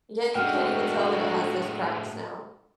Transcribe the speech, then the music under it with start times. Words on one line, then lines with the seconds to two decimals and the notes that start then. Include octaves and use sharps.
Yeah, you can't even tell that it has those cracks now.
0.35 A2 G#3 D4 F#4 A4 F#5 G5 F6